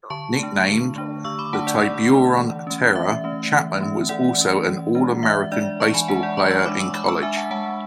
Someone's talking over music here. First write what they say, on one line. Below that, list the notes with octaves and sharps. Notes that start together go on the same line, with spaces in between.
Nicknamed the "Tiburon Terror", Chapman was also an All-American baseball player in college.
D3 A5 C#6
A3 D4
D3
A3 D4
D3 C#6 E6
B5 D6
A3 D4 F#5 A5
D5 F#5
D3 D5 F#5
A3 D4
E3
A3 C#4
E3 E5
A3 C#4
E3
A3 C#4
E3 D5 F#5
A3 C#4
E3
G#3 D4
E3 E5
G#3 D4 D5
E3 A5 C#6
G#5 B5
G#3 D4 F#5 A5
D5 F#5
E3 A5 C#6
C#6 E6
G#3 D4 B5 D6
C#6 E6
G#3 B5 D6
C#6 E6
D4 E5 G#5
F#5 A5
G#3 F#5 A5